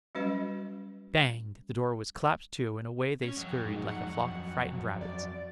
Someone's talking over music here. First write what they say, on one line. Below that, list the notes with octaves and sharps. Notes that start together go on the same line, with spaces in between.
Bang! the door was clapped to and away they scurried like a flock of frightened rabbits.
F#3 G3 C#4 F#4 B4 D#5
C#4
F2 F#3
G#2
F#5
D5